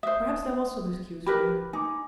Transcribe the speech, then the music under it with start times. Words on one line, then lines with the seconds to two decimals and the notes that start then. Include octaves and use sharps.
Perhaps there was some excuse for him.
0.03 C5 E5 D#6
1.26 G4 A#4 B4 B5
1.73 D#4 G#5 D6